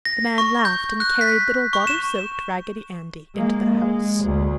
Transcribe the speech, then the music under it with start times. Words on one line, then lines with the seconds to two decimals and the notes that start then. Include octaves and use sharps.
The man laughed and carried little water-soaked Raggedy Andy into the house.
0.05 A#6
0.38 C#6
0.65 G6
1.00 F#6
1.21 B6
1.73 C#6
1.87 E7
3.35 G#3 A#3
3.74 G#3
4.24 D2